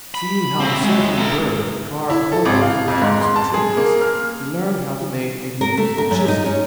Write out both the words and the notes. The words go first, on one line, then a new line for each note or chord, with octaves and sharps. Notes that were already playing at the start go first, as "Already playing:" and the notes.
Seeing how a certain bird carved holes in the trunks of trees, he learned how to make and use the chisel.
B5
C4 F#4 E5
G#3
A4 A#5
E4
A4
G#1
F5
F2
G#2
C6
A5
G#4
A#3
F6
A#4
A3
A#4
F#2
D#4
C#4